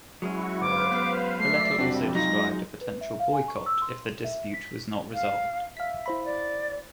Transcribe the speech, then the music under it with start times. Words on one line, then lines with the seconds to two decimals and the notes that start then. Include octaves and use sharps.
The letter also described a potential boycott if the dispute was not resolved.
0.22 F#3 G#3 C#4 E4 F#4 C#6
0.61 G1 B4 C5 F5 D6
0.91 B3
1.40 A3 D5 E5 B6 C7
1.78 F2 C3 G3 C4 D4 F#4
2.15 F#3 G#3 D#4 F4 A#6
2.81 B4
3.01 E5
3.20 F5
3.33 G#5
3.48 C#6
3.66 E6
3.82 C6
4.24 E5
4.54 B6
5.14 F5
5.77 E5 F5 B6
6.06 E4 C5 B5
6.25 D5